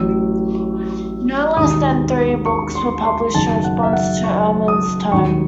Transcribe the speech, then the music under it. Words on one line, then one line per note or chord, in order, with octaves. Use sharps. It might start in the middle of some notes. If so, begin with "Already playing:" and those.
No less than three books were published in response to Ehrman's tome.
Already playing: A1 A2 F#3 E6
E1 D#2 D#3 D#6
C#6
C6
C6
F#1 F#2 D#3 A5
F#5
E5
F#5
C#6
D#6
E1 D#2 D#3 F#3 C#6